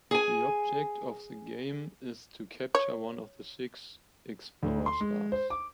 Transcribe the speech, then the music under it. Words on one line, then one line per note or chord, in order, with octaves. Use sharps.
The object of the game is to capture one of the six explorer stars.
G#4 G#5
C#5
D2
C6
G#3
C5
D6